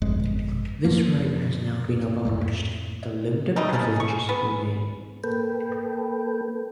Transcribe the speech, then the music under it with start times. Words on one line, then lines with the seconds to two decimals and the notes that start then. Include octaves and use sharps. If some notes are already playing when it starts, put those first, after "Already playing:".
This right has now been abolished, but limited privileges remain.
0.02 G1 F2 G#3
0.84 F#2 F3 A#3
2.25 F2 A2 A3
3.56 F#3 G3 A3 D#4
3.73 A#3 C#4 G#4 A4
3.96 G#4 C#6
4.29 B3 G#4 B4
5.24 A#3 A4 B4 G5